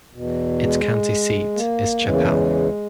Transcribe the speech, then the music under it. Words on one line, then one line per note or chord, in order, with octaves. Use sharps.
Its county seat is Chappell.
E2 B2
G#3
A#3
E2 C#3 E3 G#3
A#3
G#3